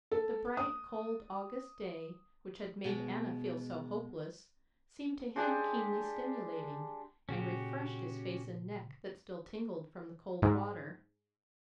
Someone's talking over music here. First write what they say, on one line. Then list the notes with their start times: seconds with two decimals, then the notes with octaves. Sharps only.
The bright, cold August day, which had made Anna feel so hopeless, seemed to him keenly stimulating, and refreshed his face and neck that still tingled from the cold water.
0.11 A4
0.57 D#6
2.84 B2 G#3
5.36 G#3 D4 G4 A5
7.29 A#2 C#3 C#4 F#4 G4
10.42 G#2